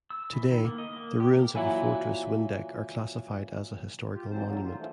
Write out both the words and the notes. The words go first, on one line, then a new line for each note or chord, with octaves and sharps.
Today, the ruins of a fortress Windeck are classified as a historical monument.
E6
E3
D#3
A#3
D#5
A#3
G4
A#4
A#2 E3 F#3 E4 F#5
F4 G4
G#2 E3 F#3 C4 C5 A5
A2 D3 F#3 A#3
F4
D3 E3 F3 A3